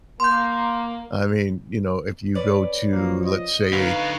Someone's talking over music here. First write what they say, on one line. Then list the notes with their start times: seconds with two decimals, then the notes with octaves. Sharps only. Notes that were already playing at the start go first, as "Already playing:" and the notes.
I mean, you know, if you go to, let's say,
0.20 A#3 C6 G6
2.35 C#4 B4 D5
2.92 F3 A#3
3.26 D#5
3.72 D3 D#4 A#4 B4 F5